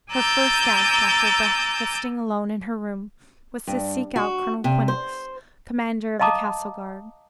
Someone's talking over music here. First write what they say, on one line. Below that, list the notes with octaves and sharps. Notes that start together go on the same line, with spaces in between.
Her first act after breakfasting alone in her room was to seek out Colonel Quinnox, commander of the castle guard.
G#5 A#5 D6 E6 G6 A6
G2
F#4
C3
C5
D#5 F5 A5 A#5 D6 D#6